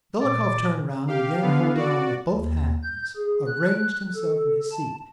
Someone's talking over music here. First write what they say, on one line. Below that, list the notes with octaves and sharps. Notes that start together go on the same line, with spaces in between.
Dolokhov turned round and, again holding on with both hands, arranged himself on his seat.
A#2 D5
G4 F5
D3 B3 F5
F#4 D5
D#2
G6
G#4
F#6
A4
A5